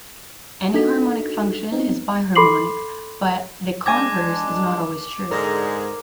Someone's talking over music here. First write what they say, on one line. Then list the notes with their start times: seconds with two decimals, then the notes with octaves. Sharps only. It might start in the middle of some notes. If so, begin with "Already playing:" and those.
Any harmonic function is biharmonic, but the converse is not always true.
0.74 D4 D#4 F#4 A4 B6
1.72 B3 C4 D#4
2.36 A4 B5 C6 D6 C7 F#7
3.86 G#3 D4 G#5 D6 G#6 A#6
5.31 G#2 D3 G#4 A#4